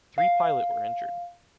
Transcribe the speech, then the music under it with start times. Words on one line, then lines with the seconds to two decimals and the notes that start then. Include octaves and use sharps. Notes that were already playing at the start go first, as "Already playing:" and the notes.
Three pilot were injured.
0.18 F5